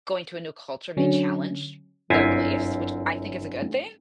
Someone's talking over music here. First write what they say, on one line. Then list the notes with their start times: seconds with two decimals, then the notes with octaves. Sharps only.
going to a new culture may challenge their beliefs, which I think is a good thing.
0.97 D3 F#3 C#4
2.10 G1 F#2 C4 E4 F4 G#5